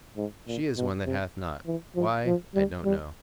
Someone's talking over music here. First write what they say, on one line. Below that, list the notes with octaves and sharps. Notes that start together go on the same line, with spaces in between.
She is one that hath not; why, I don't know.
G#2
A#2
B2
C3
E3
F3
F3
G3
G3